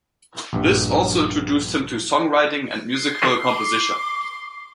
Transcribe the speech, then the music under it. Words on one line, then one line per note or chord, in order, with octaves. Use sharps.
This also introduced him to songwriting and musical composition.
A#1 G2
C6
D6